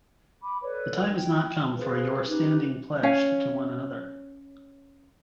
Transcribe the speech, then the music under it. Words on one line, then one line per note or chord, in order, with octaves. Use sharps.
The time is not come for your standing pledged to one another.
B5 D6
A4 B4 C#5 D5
G5
G#4 B4 C5 F5
C#4 D#4 G4 B4
C#4 C#5 F5 G#5